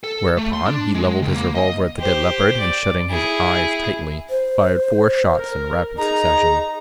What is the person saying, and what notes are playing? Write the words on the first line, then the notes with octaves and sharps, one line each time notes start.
Whereupon he levelled his revolver at the dead leopard, and shutting his eyes tightly, fired four shots in rapid succession.
A4
A3
C6
D4
G#3
C#2
A#3
D#5
G4 C5
D5
E4 G#4
C5
A#4
D#4 G#4 A#5